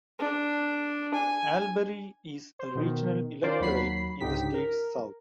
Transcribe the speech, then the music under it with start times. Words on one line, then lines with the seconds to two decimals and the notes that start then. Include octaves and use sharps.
Albury is a regional electorate in the state's south.
0.19 D4
1.14 G#5
2.59 C5
2.75 B2 D#3
3.43 D#3 C#4 F4 A#4 C5 D5
3.60 D#2 F#3 B5 C7
4.20 C#2 G#2 D3 D#4 G4 B6
4.54 A#4